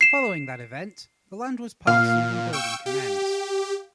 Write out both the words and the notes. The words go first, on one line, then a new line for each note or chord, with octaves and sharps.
Following that event, the land was parcelled and building commenced.
C7 E7
A#2 F5
G5 C#6 E6
G4